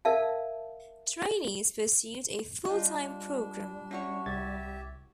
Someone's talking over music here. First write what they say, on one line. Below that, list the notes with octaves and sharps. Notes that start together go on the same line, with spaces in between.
Trainees pursued a full-time programme.
A#4 D5 E5 F5 A5
G3 D4 D#4 F4
C#4 E4 F#4 C#5 C#6
C2 G4 E5 G#6 A6